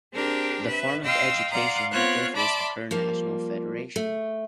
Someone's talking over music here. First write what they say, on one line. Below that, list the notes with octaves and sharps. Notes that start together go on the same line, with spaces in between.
The form of education differs per national federation.
C4 D4 G4 G#4 A#4
B4 E5
D#5 F5 G5 C6 D#6 E6
D5 F5 F#5 A#5 C6 D#6
B3 C4 F4 C#5 F#6
D5 E5 A5 B5 C6 D6
F3 G3 A#3
A3